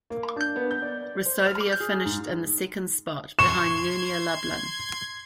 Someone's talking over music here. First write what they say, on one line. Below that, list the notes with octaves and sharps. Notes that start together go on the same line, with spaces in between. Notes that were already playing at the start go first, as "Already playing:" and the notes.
Resovia finished in the second spot, behind Unia Lublin.
A#3
D4
B3
G6
D5
C5
F6
G#4
G#2
C6 C#6 G#6 E7